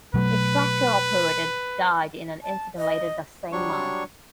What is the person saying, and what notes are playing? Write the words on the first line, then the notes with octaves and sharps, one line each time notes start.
A tractor operator died in an incident later the same month.
B2 F#3 A3 B4
A5
D#5
F#3 G3 D4 C#5 C#6